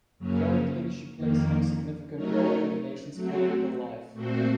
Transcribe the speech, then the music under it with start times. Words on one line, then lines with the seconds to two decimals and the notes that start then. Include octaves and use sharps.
Currently she plays no significant role in the nation's political life.
0.18 F#2 C#3 F#3 A#3 C#4
1.17 F2 D#3 A#3
2.15 F#3 A3 D#4 A#4 C#5
3.13 F#3 A3 C4 F#4
4.13 A#2 A3 C4 F#4 C5